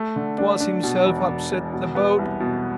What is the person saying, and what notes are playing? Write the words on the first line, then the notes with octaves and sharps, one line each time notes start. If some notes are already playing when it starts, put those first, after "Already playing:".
'Twas himself upset the boat.
Already playing: A3
D3
D4
D4
B2
E1
E1
E1
B2
B3
C2
B2